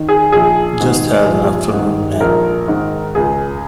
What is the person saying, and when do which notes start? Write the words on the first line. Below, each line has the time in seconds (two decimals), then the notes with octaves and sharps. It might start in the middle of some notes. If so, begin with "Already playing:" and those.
Just had an afternoon nap.
Already playing: D#3
0.09 G#4
0.32 A#1 G#4
0.80 G#2 D#3
1.26 A#1
1.73 G#2 D#3
2.20 A#1 A#4
2.68 G#2 D#3
3.15 C#2 G#4